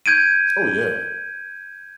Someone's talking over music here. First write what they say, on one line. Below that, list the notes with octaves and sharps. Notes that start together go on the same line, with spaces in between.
Oh, yeah.
G6 G#6 D7 D#7